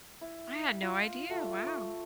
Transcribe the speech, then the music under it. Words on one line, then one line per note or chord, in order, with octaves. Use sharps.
I had no idea, wow.
E4
F4
A3
C#6